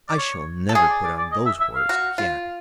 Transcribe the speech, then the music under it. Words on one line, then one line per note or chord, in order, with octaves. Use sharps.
I shall never put on those horrors again.
D5
C#5
A4
G#4 C#5
D5
D5
D5
D#5
E5
E5
F5
F#4
F4